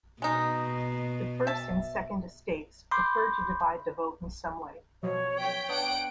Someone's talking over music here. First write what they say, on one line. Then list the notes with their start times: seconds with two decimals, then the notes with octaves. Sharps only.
The First and Second Estates preferred to divide the vote in some way.
0.22 B2 G#3 D#4
1.47 E5 A5
2.91 B5 C6 D6 G6
5.03 B2 F3 F#3 C#5
5.40 C#5 G5 B6
5.69 B3 D4 F#5 D7